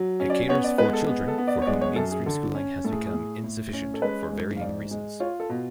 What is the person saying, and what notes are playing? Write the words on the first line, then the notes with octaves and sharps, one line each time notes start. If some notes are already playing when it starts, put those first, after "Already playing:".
It caters for children for whom mainstream schooling has become insufficient, for varying reasons.
Already playing: F#3
C#4
D5
B3 C#5
D5
G#3 B4
A4
B3
A4
B3
D5
C#5
G#3 D5
C#5
F#2 A4
G#4
D3 A4
C#4
A2 A4
G#4
G#4
A2
A2
C#4
A4
G#3 B4
G#2
F5
G#2 D5
G#3
F4 C#5
A4
B2